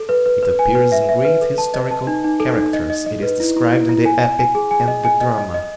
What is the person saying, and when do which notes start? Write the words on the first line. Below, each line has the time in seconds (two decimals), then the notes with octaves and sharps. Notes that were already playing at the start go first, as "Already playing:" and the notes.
It appears in great historical characters; it is described in the epic and the drama.
Already playing: A4
0.09 B4
0.26 B4
0.43 B4
0.59 G#5
0.75 B4
0.92 E5
1.09 E5
1.25 B4
1.41 A4
1.58 A5
1.74 D#5
1.91 A5
2.07 D#4
2.24 D#4
2.40 A4
2.57 D#4
2.73 D#5
2.90 D#5
3.06 D#5
3.23 B4
3.40 E4
3.57 E4
3.73 E4
3.89 E4
4.06 G#5
4.22 G#5
4.39 G#5
4.55 G#4
4.71 G#5
4.88 D#5
5.05 G#5
5.21 D#5
5.38 D#5
5.54 D#5